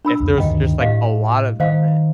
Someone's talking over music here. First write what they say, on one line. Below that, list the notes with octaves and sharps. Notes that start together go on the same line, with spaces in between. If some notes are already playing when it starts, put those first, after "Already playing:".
if there's just, like, a lot of them, and
D4 B5 E6
C2 F2
D2 G2 D#3 D#5 G5
A2 G4 D#5 F5
D#3 C5 D#5 F5